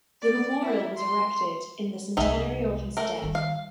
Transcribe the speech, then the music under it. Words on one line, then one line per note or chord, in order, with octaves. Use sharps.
The memorial was erected in the centenary of his death.
D5
E4
C6
C2 G#3 D#4 G#4 E5
A3 A#4
D#3 G3
F5